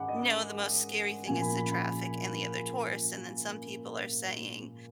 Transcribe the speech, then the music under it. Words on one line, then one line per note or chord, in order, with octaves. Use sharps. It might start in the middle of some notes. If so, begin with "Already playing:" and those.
"No, the most scary thing is the traffic and the other tourists," and then some people are saying,
Already playing: G#2 D#3 F#5 G#5 B5 D6
D#5
A#2 F3 G#5
B5
B5
B5